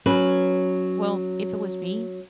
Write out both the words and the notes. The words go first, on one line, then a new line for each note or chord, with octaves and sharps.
Well, if it was me,
F#3 C#4 B4